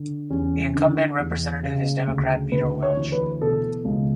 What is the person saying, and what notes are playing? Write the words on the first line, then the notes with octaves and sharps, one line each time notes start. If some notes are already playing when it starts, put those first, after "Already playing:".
The incumbent representative is Democrat Peter Welch.
Already playing: D3
E2 C#4
D3
E2
C#3
D2
D2 B4
C#5
E3
B4
B2 A4
C#2